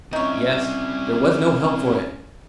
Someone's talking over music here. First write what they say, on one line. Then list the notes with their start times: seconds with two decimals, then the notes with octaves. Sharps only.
Yes! there was no help for it.
0.13 C4 C#4 D#4 E4 C#5